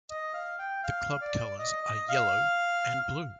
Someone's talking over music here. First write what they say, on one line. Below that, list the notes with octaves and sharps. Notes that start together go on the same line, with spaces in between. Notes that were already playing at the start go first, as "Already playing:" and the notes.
The club colours are yellow and blue.
D#5
F5
G5
F5
D5
D#5
D#5
F5